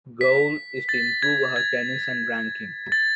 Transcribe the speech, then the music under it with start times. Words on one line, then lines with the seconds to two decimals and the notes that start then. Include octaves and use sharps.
Goal is to improve her tennis and ranking.
0.21 B6
0.89 A6
1.22 G#6
1.56 G#6
2.92 A6